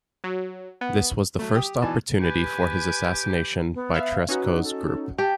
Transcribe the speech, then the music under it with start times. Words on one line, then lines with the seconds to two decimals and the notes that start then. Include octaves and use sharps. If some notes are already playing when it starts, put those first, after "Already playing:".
This was the first opportunity for his assassination by Tresckow's group.
0.24 F#3
0.81 B3
1.39 F#3 A3
1.54 G4 D#6
1.82 B2 E3 D#4 D5 G#5 A5
2.21 G4 B4 G#5
3.75 B3
3.94 E5 F5
4.29 C#4 D#4 F#4 B4
4.63 A4
5.18 G4 A5